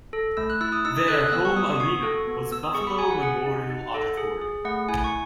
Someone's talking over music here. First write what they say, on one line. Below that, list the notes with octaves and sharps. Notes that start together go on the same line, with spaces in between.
Their home arena was Buffalo Memorial Auditorium.
A4
A3 E6
F#6
E4 E6
D#6
D#4 E6
D#6
A4 F#6
F#6
B3 E6
C#6
B3 D#6
D#6
F#4 C#6
A4
B3
B3 E6
D#6
G#4 C#6
B5
G#4 G#5
F#5
G#4 F#5
D#4
D#4
A4
G#4
G#4
A3 F#5
E4 G#5
C#6